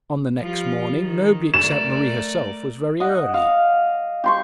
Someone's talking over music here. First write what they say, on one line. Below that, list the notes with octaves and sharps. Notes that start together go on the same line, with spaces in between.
On the next morning nobody except Marie herself was very early.
F3 G3 F4
D#3
A3 A#4 D5 E7
D#5 F#5
F5
G4 C6 C#6